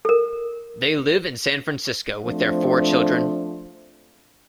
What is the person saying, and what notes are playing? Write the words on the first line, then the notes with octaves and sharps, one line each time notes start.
They live in San Francisco with their four children.
A4 A#4
F3 A3 C4 D4